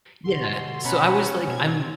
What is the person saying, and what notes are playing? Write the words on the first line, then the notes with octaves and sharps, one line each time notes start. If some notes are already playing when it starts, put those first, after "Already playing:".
Yeah. So, I was, like, I'm
B2 D3 C6
B2 C#4 F#5 A#5 B5
B2 C4 F#4 G#6